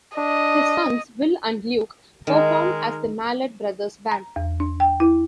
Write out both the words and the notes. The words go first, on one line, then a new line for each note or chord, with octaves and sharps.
His sons, Will and Luke, perform as The Mallett Brothers Band.
D4 D#5
D#3 G#3 A#4
A#5
E2
D4
G5
E4